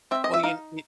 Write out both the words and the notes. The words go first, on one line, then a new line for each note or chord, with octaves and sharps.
Well, you in i
C4 E5
D#5
E5
D#4 F5